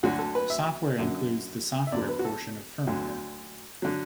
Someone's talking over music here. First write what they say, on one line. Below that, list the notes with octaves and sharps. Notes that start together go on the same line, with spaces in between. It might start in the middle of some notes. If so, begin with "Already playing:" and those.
Software includes the software portion of firmware.
D2 D3 F#3 F#4
A4
B4
E5
F#2 D3 F#3
E5
E2 D3 F#3 D5
B4
F#4
A4
D2 D3 F#3
D3 F#3